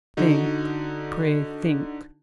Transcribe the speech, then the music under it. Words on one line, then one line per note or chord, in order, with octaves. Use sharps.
Think; pray think!
D3 D#4 F#4